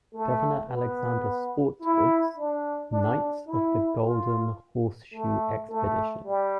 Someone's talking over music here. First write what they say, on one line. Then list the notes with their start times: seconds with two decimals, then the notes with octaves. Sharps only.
Governor Alexander Spotswood's "Knights of the Golden Horseshoe Expedition".
0.14 A3
0.69 B3
1.80 E4
2.36 D4
2.91 D4
3.47 E4
4.02 F4
5.13 A3
5.69 A3
6.25 G3